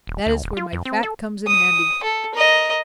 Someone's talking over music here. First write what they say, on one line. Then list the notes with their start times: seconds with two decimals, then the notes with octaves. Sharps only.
That is where my fat comes in handy.
0.07 D#1
0.26 D2
0.44 D#1
0.57 F4
0.73 F2
0.85 C4
1.03 A4
1.48 D#6
2.03 A4
2.34 A#4 D#5